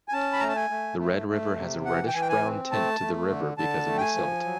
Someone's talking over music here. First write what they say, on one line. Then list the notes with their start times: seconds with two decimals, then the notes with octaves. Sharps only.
The red river has a reddish-brown tint to the river because of the silt.
0.08 G#5
0.13 C#4 A5
0.32 B5
0.40 A3 A#5
0.48 A5
0.56 G#5
0.70 A3
0.99 A3
1.28 A3
1.57 C3
1.85 E3 F#5
2.07 G5
2.14 E3 G#5
2.21 G5
2.29 G#5
2.43 C4
2.72 A3 A5
3.00 A3
3.29 D3
3.58 D3 A5
3.86 A3
3.97 G5
4.00 G#5
4.15 F3
4.44 F#3